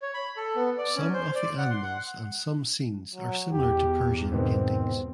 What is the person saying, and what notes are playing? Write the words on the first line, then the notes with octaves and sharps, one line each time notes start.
Some of the animals and some scenes are similar to Persian paintings.
C#5
B5
A4
B3
D5
C#4
C5
D5
F#5
C6
F#5
F#3
E2 G4
G#2 B2 D#3 C4